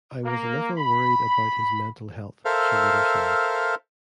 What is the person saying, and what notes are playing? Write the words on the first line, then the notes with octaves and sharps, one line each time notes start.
"I was a little worried about his mental health," she later said.
A#3
B5
A4 A#4 C5 E5 F5